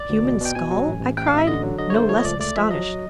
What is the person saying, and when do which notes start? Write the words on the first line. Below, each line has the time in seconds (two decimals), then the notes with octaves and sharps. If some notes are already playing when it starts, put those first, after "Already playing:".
"A human skull?" I cried, no less astonished.
Already playing: D5
0.09 D2
0.24 B2
0.40 B2 G5
0.55 B2 G#5
0.71 F#3
0.86 A1
1.01 A1
1.17 A1 G5
1.27 F5
1.33 A1 E5
1.47 D3 D#5
1.63 F#3
1.79 D3 D#5
1.90 C#5
1.94 A3 C5
2.09 F3 C#5
2.18 D#5
2.25 C#2 D5
2.40 A3 D5
2.56 F3 E5
2.71 F#3 D#5